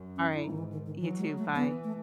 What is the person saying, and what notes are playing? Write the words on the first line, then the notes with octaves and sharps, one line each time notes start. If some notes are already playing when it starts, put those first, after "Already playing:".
Alright, you too, bye.
Already playing: F#2
C#4
E4
G#2 D#4
D#3
E3
D#3
D#3
E3 F#3
G#3
A3
E3 B3
A3